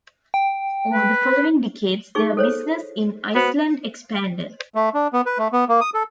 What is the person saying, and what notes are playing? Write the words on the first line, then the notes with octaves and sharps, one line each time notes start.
Over the following decades, their business in Iceland expanded.
G5
B4
D#4 G#4 C#6
A4 C5 C#5
B3 F#4 C5
A3
D4
B3
B4
A3
B3
A#3
D#6
A4